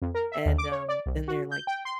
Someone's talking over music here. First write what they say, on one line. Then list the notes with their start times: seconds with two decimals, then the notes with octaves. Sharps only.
and, um, then they're like
0.02 F2
0.15 A#4
0.32 E5
0.46 D#2
0.58 D6
0.72 C#5
0.89 D5
1.06 C2
1.28 F#4
1.51 G6
1.67 G5
1.85 C6